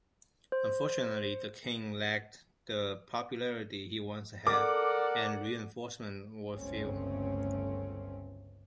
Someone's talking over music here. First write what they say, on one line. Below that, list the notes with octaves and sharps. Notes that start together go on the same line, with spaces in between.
Unfortunately, the King lacked the popularity he once had, and reinforcements were few.
C5
A4 A#4 D5 F#5 D6
G1 C#2 G2 A3 C4 C#4